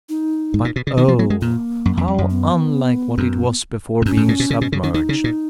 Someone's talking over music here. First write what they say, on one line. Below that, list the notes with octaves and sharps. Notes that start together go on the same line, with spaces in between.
But, oh! how unlike what it was before being submerged!
D#4
G#2
A#2
B2
C#3
D#3 B3
F3
F#3
G#3
A#2 A#3
F#2
F2
F2
F#2
B3
F#2
G#2
F#2 C#4
G#2
A#2
B2
C#3
B2
C#3
D#3 C#4
D#3 D#4
C#3
A#2